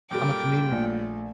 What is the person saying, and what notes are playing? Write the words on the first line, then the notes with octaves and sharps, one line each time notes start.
I'm a comedian.
F#2 A#2 G3 A4 A#4 G5 D6
A#1 A3